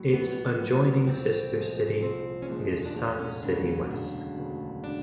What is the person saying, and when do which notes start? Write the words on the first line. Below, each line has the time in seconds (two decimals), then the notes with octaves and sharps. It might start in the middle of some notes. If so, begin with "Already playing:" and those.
Its adjoining sister city is Sun City West.
Already playing: A#1 A2 F#3
0.13 A#1 B3
0.60 A2 F#3
1.07 C2 C4
1.54 A#2 F3 G#3
2.01 C2 C4
2.42 C#4
2.49 A#2 F3 G#3 D4
2.86 D4
2.96 E1 C#4
3.19 C#4
3.43 D2 C#3 F#3 D4
3.66 C#4
3.90 E1 D4
4.37 D2 C#3 F#3
4.84 D4